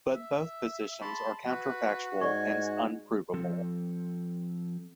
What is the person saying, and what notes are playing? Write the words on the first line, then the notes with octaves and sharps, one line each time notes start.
But both positions are counterfactual, hence un-provable.
E5
G#4 A5 B5 C6
F#4 B4
G#2 D5 G#5 C#6
F3 C4 A4